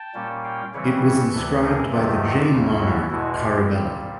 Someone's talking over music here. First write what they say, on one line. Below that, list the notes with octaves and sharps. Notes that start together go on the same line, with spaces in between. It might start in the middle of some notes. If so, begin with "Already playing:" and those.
It was inscribed by the Jain monarch Kharavela.
Already playing: G5 A5
A#2 G3 A#3 C#4
F5 G5
C#3 E3 G3 C4 B4 C#5
B4 C#5
D2 C3 E3 A3 A4 B4
G#4 A#4
E2 C3 D#3 F#3 A3 F4 G4
D#2 C#3 F#3
E4 F#4
E2 B2 G#3 E4 F#4
F4 G4
A#2 G3 C4